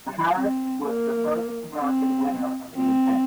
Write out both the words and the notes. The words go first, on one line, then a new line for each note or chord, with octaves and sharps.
Zaharias was the first American winner of the event.
C4
A#3
C4
C4